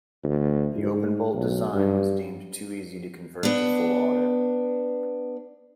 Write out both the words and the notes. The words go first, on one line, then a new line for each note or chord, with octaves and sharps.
The open-bolt design was deemed too easy to convert to full auto.
D2
G#2
B1
G2
B3 D4